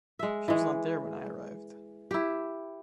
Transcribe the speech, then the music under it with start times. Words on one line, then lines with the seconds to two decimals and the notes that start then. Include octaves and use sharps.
She was not there when I arrived.
0.19 G#3 E5
0.48 E3 G#3
2.11 E4 G4